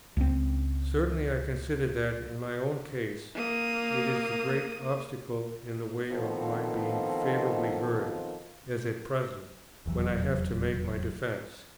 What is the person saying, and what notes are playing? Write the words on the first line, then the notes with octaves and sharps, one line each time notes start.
Certainly I consider that, in my own case, it is the great obstacle in the way of my being favourably heard, as at present, when I have to make my defence.
C#2 C4
A#3 D#6
B2 D#3 F3 C4 F4 A4
F1 E2 E3 F#3